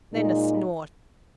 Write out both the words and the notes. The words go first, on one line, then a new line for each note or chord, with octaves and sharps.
Then a snort.
A#2 G#3 D#4